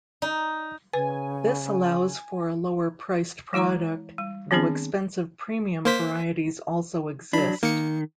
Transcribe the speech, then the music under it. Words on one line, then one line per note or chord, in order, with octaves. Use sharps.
This allows for a lower priced product, though expensive "premium" varieties also exist.
D#4
C#3 B4 G#5
E3 G#3 E4 C#5 A#5
G3
D#3 B3 C4 D4 G#4
A#3 C5 B6
F#3 D4 B5
D#3 A#3 C#7